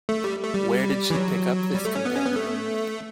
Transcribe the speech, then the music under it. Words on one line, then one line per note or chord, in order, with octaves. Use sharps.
Where did she pick up this companion?
A3
G3
A3
G3
E3
F#3
G3
A3
C#4
B3
C#4
B3
A3